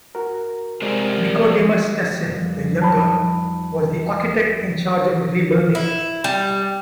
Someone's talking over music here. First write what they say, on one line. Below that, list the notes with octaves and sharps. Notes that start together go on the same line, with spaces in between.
Nicodemus Tessin the Younger was the architect in charge of rebuilding.
F#4 A#4
C3 G#3 A#4 C5 D5
F2 F3 G3
D#4 A5 B5
E4
G3